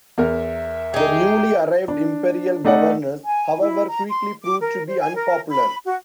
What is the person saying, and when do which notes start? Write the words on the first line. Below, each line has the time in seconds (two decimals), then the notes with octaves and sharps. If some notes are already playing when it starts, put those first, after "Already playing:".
The newly arrived Imperial governors, however, quickly proved to be unpopular.
0.18 E2 A#4 E5 F6
0.94 D#4 G4 G#4
1.88 D4
2.65 A3 D#4 D5 F#5
3.25 G#5
3.61 E4
3.88 A#5
4.09 C6
4.41 D6
4.61 A#4
4.87 C5
5.01 G#5
5.16 A#4
5.50 B5
5.85 F#4